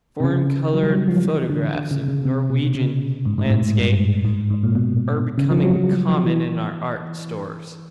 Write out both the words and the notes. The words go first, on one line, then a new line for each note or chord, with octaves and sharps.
Foreign colored photographs of Norwegian landscape are becoming common in our art stores.
C3
C#3
F#3
G3
F#3
F3
E3
D3
D3
C#3
C#3
C3
B2
C#3
G#2
G#2
A2
G#2
A2
G#2
G2
G#2
G#2
G#2
A#2
B2
C#3
F3
F#3
F#3
F#3
F3
E3